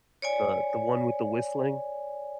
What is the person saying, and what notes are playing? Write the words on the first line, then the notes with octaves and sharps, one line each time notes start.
The the one with the whistling?
C#5 D5 G#5